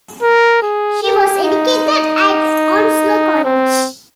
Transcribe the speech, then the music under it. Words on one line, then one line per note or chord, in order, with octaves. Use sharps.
She was educated at Onslow College.
A#4
G#4
G4
D#4
C4